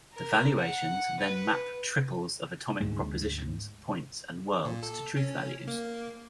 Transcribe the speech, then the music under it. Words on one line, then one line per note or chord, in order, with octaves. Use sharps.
The valuations then map triples of atomic propositions, points, and worlds to truth values.
A#4
F#5
B4
D2 G#2 G#3
A#2
A4
C#4
A#3